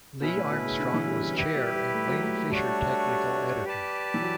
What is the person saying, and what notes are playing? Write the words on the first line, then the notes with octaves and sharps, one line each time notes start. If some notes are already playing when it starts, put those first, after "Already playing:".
Lee Armstrong was chair and Wayne Fisher technical editor.
B2 C#4 E4 B4
A2
B2
C#3
D3
E3
G3
G3
G3 E4 G4 B4
G3
G3
A3
F#3
A3
A3
G3 A3 D4 F#4 C#5
G3
G4 B4 D5 A5
E3
F#3